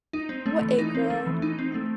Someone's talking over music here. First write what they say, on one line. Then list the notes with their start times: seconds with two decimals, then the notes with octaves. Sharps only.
What a Girl!
0.13 D#4
0.29 C4
0.46 A3
0.62 E3
0.79 D#4
0.95 C4
1.10 A3
1.26 E3
1.42 D#4
1.59 C4
1.74 A3